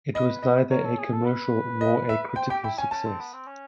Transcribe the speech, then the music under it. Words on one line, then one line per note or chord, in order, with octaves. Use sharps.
It was neither a commercial nor a critical success.
B4 D#5
D#5
A#4 C#5
A4
G#4
A4
B4
D#5
E5
B4
C5 G5
G4 G5
E4 G5
C#4 G#5
C#4 A5
C4
B3
C4
C#4